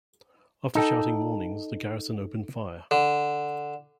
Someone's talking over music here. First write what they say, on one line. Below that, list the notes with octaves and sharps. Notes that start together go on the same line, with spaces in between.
After shouting warnings the garrison opened fire.
D#4 A4 G5
D3